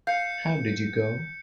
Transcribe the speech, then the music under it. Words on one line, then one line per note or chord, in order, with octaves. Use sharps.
How did you go?
F5 G6 C#7